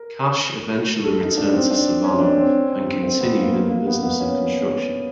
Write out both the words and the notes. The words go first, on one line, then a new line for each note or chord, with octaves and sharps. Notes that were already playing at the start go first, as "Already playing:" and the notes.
Cash eventually returned to Savannah and continued in the business of construction.
Already playing: A#4
A4
D#4
D4
C4
D4
C#4
D4
C4
C4
B3
A#3
A#3
A#3
B3
B3
C#4